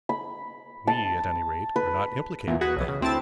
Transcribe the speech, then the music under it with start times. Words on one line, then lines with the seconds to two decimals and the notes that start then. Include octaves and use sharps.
"We at any rate are not implicated in that."
0.09 B5
0.87 A5
1.76 B4
2.47 E2 A#2
2.61 F#4 G#4 B4
2.77 B1 E3
2.88 C#3
3.01 D2 C4 E4 A5 A6